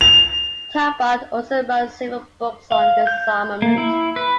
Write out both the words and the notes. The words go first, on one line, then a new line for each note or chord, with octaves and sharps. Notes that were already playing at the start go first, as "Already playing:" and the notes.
Talbott also wrote several books on disarmament.
F7
F5
G6
A#3
E4
B4